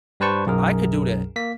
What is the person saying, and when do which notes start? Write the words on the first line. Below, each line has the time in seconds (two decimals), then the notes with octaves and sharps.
I could do that,
0.20 G2 G3 B4 C5 A5 C#6
0.46 B1 F#2 G#4 A#4
1.36 A#3 B6